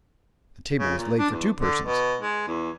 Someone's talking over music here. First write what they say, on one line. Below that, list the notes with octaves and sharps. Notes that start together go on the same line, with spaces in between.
The table was laid for two persons.
C#3
A#2
D4
E2
D3
B2
G#3
E2